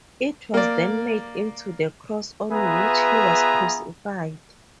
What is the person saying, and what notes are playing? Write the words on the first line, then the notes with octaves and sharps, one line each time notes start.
It was then made into the cross on which he was crucified.
A#3 D5
B3 F4 G#4 B4 E5 A#5